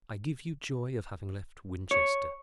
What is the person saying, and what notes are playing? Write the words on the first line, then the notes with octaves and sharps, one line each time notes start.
I give you joy of having left Winchester.
C#5